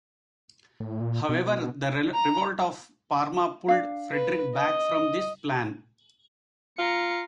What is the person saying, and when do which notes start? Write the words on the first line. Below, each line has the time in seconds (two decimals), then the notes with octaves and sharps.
However, the revolt of Parma pulled Frederick back from this plan.
0.80 A2
1.00 A#2
1.29 B2
2.14 A#5
3.68 D4 F5
4.12 B4
4.56 D#5
6.78 F4 A#5 C#7